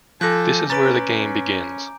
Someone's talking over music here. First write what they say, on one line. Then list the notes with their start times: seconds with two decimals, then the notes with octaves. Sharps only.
This is where the game begins.
0.21 F3 A4 G#5 D6 F#6 G6 A#6
0.70 C#4 B4 A#5 A6 D7